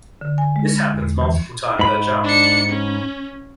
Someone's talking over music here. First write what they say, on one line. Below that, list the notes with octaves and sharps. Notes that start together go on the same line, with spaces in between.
This happens multiple times per jump.
D3
G#5
G#3
E2
E3
G#2 B5
D4 C#7
C#4